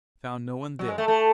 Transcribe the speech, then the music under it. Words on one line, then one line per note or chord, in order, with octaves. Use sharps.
I found no one there.
F#3
G#3
A3
A3